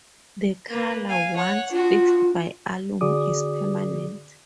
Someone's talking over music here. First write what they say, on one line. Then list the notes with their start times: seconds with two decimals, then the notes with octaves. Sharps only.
The colour, once fixed by alum, is permanent.
0.69 A#3 B4
1.07 F5 G#5
1.36 C#5 F#5
1.72 D4 F4 F#4
3.01 D3 F#4 G#4 D5 D6 D#6